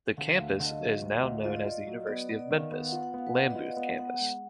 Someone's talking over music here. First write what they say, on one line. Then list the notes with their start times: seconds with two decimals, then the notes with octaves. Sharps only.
The campus is now known as the University of Memphis - Lambuth Campus.
0.17 D3 F5
0.33 F5
0.38 D2
0.49 F5
0.60 D3
0.65 D#5
0.80 F#3
1.02 D2
1.23 D2
1.44 F4 D#5
1.56 D5
1.65 F4 D#5
1.87 F#3
2.07 B3 D5
2.23 D5
2.29 B3
2.39 D5
2.51 D#3 F5
2.71 B3 F5
2.87 F#5
2.92 F4
3.03 F#5
3.14 B3 F5
3.27 B4
3.34 B3 D5
3.50 F4 D#5
3.66 F5
3.77 B3
3.82 F#5
3.98 B3 F#5
4.19 G#3